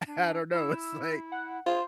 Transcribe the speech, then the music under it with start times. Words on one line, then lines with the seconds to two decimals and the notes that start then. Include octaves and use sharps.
I don't know, it's like,
0.07 D4
0.52 E4 E6
1.32 F#5
1.66 F4 G#4 C5